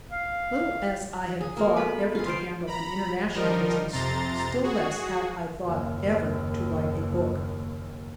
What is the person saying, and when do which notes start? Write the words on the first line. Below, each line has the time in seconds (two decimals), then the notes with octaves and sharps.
Little as I had thought ever to handle an international business, still less had I thought ever to write a book.
0.11 F5
1.41 G#4
1.57 A#3 F#4
1.76 B3 A4 B4 B5
2.15 F4 G#4
2.26 C5 F5 C6 D7
2.67 A#5 B5
3.34 F3 G3 D#4 A#4
3.92 F2 C3 A#5 C6 A6
4.63 F#4 G#4
5.63 F#1 D#2